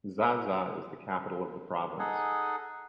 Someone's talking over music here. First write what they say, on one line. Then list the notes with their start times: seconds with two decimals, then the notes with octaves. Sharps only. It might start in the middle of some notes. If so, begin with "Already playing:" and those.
Xai-Xai is the capital of the province.
1.99 D#4 G#4 A4 D#5 F#5 G#5